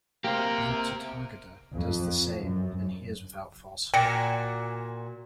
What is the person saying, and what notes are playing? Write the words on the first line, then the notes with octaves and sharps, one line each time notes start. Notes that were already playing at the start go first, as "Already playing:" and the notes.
The Tathagata does the same, and he is without falsehood.
A#3 G4 C5
F2
F#2
A#2 F#4 G5 G#5 A#6 C#7